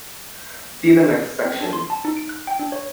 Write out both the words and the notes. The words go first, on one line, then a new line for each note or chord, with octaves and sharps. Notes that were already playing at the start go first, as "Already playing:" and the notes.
See the next section.
C4
D4
C6
A5
D#4
D7
F#6
G5
D4
C#5